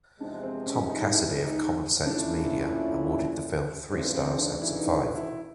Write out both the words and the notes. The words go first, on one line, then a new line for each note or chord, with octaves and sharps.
Tom Cassidy of Common Sense Media awarded the film three stars out of five.
E2 C3 F3 G#3 D4
C4
C#4
D#4
E4
D#4
A#2 F3 A3 C#4 D4 E4
D2 C#3 E3 C4
C4
D4
E4
D#4
E4
E4